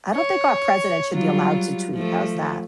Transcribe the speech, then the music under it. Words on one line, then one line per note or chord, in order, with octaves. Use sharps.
I don't think our president should be allowed to tweet. How's that?
C#5
F#3 G3 F4
F3 A3